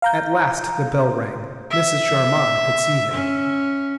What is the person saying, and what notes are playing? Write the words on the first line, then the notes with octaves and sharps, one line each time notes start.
At last the bell rang: Mrs. Charmond could see him.
F5 A#5 G6
E5
C#4